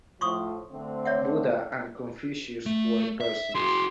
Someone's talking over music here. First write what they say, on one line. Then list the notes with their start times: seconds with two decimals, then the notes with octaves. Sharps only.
Buddha and Confucius were persons.
0.21 A2 F3 C6 C#6 D#6
0.71 D3 A3 C4
1.05 C#5 E5 F#5
2.66 A3
3.21 E5
3.55 F#4 G#4 C6